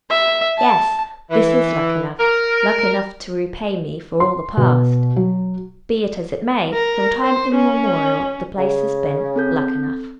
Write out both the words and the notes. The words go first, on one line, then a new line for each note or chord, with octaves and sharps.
"Yes, this is luck enough! luck enough to repay me for all the past!" Be it as it may, from time immemorial the place has been "Luckenough."
E5
A5
E3
A#4
C6
B2
F#3
A#4
C5
C#4
C#3
C4 A4 G6